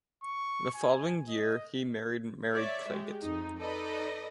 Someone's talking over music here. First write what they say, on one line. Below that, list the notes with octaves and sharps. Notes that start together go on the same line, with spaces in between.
The following year, he married Mary Clagett.
C#6
G#5
D#5
C#5 D5 E5
G#3 G4
F2 D#4
D#4 A4 B4 D5 D#5